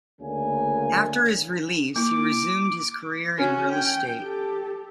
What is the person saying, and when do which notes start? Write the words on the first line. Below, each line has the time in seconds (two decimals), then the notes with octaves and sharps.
After his release, he resumed his career in real estate.
0.21 D2 C#3 A#3 G#5
1.96 A#3 E4 D6
3.38 C#4 F#4
3.70 G5
4.21 G4 A4